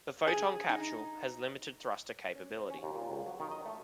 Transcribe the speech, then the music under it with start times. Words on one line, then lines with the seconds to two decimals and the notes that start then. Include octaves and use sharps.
The Foton capsule has limited thruster capability.
0.27 G#4
0.69 D#4
2.35 C#4
2.56 C4
2.70 C#4
2.83 D#2
2.95 A#2
3.10 C#2
3.27 F#3
3.40 D#3
3.51 D#5
3.66 A3